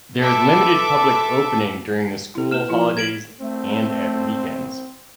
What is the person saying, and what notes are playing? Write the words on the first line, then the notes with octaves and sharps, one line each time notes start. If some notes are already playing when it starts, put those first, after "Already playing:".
There is limited public opening during the school holidays and at weekends.
A4 B4 E5 D6
E4 A4
A#3 B4 F6 E7
F3 E4 F4
G#6 D7 F#7
A3 C4